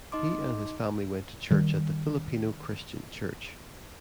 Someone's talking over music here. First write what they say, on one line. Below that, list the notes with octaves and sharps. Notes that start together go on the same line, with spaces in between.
He and his family went to church at the Filipino Christian Church.
D#4 D#5 C6 D6
D#3 G3